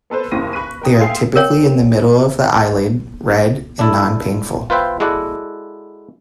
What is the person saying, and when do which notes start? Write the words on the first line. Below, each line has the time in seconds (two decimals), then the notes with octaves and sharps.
They are typically in the middle of the eyelid, red, and non painful.
0.10 B3 A4 B4 C5
0.31 F#1 D#2 C#3 E4 A#6 D#7
0.53 B5 C#6 F#6 B6 D#7
0.82 A#4 G5 D#6
1.00 E5 F5 G5 G#5 C6 C7
1.36 A#4 C#5 G5
3.79 D4 E4 A4
4.70 F4 B4 C5 E5 G5
5.00 G#3 E4 F#4 A4 D5 F#5